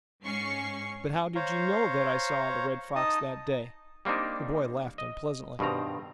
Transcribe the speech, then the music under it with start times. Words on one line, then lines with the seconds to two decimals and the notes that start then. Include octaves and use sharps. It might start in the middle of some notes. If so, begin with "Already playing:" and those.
"But how did you know that I saw the Red Fox that day?" The boy laughed unpleasantly.
0.21 G#2 C#4 C#6 C7
1.36 C5 C#5 F5 A#5
2.96 D#4 D#5 A5 D#6
4.05 G3 A#3 C4 D4 D#4
4.98 D#5
5.59 G2 B2 D#3 C4 A#5